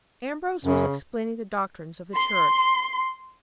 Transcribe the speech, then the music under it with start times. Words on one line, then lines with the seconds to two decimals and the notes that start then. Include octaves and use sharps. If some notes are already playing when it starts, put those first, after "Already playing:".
Ambrose was explaining the doctrines of the Church.
0.64 F#2 C#3
2.14 C6